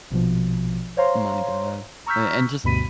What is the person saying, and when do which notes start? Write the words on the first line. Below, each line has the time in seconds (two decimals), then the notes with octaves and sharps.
my dad, and and just
0.10 A#1 B2 F3
0.97 C5 C#5 F5 A#5 C6
2.06 A#5 C#6 E6 F6 G6 B6
2.64 D2 G2 B2 B5 B6 D#7